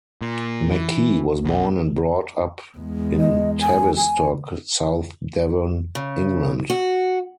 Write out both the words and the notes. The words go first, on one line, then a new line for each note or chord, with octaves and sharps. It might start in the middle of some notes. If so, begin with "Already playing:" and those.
McKee was born and brought up in Tavistock, South Devon, England.
A#2
E3
B1
E2 G#3
D#5
G#5
G#5
C#3
F#4